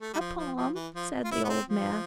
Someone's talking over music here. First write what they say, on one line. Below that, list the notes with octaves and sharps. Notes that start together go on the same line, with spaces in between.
"A poem," said the old man.
A3
G3
F3
F3
F3
E3
F3
F4
E4
B3
C4
F3